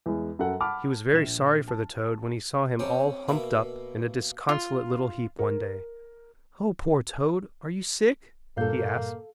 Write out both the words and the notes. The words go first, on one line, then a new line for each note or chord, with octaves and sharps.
He was very sorry for the toad when he saw him all humped up in a disconsolate little heap one day. "O, poor toad, are you sick?" he asked.
E2 G#3
F#2 A4 F#5
F#5 A5 B5 D6 F6
A#1 E7
A5
C4 C#4 G4
B2 A#3 E5 B5
F4
A#4
G2 A#2 A#3 A4 F5 G6